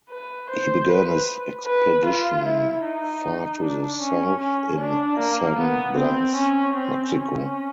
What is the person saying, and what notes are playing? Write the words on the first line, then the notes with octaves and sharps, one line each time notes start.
He began his expedition far to the south in San Blas, Mexico.
B4
C5
B4
B4
F4
E4
D#4
D4
C#4
C#4
D4
A#3
B3
C4
C#4
C4
C#4